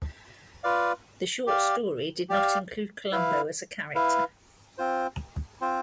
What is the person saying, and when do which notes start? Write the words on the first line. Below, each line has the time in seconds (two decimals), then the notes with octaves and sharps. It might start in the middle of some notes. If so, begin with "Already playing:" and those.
The short story did not include Columbo as a character.
0.64 F4 B4 D5 F5
1.47 G4 D5 F5
2.29 G4 D5 F5
3.12 E4 B4 F5
3.95 E4 B4 F5
4.78 C4 F4 C5
5.61 C4 F4 C5